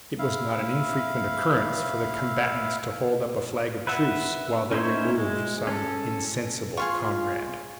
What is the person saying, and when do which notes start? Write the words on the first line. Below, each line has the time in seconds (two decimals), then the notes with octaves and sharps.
It was not an infrequent occurrence for the combatants to hold up a flag of truce while they removed some insensible comrade.
0.19 E4 F5
3.87 B4 E5 F#5
4.71 C#4 D#4 E4 C5 C#5
5.18 G#3
5.67 C#4 A4
6.77 F4 G#4 F5 C#6